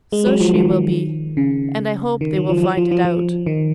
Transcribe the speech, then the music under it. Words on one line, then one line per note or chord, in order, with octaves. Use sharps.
'So she will be, and I hope they will find it out.
G#3
F#3
F3
D#3
C#3
D#3
F#3
F3
F#3
F3
F3
F3
D#3